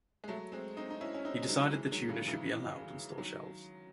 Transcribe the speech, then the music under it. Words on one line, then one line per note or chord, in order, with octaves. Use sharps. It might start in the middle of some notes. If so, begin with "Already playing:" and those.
He decided the tuna should be allowed on store shelves.
G#3
F#3 A3
G#3 C4
C4 D#4
D#4
C#4 E4
C#4
C4 D#4
G#3
D#3 F#3
E3 G#3
G#3
D#3 F#3
C#3 E3
C#3 E3
D#3 F#3